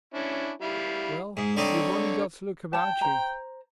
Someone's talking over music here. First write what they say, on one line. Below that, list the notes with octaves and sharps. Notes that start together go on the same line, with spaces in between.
Well, you've only got to look about you.
C#4 D4 E4
G3 E4 F5
G#2 G#4
D3 G3 C4 D#4 C#5
C#5 G5 A5
C5 A#5